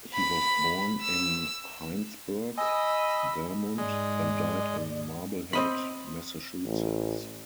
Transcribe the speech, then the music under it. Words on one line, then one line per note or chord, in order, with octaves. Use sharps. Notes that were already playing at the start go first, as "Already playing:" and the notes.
He was born in Hinesburg, Vermont and died in Marblehead, Massachusetts.
B5
E6
D#5 G#5 B5 E6
G#2 G#3 D5
C4 D#5 B5
A1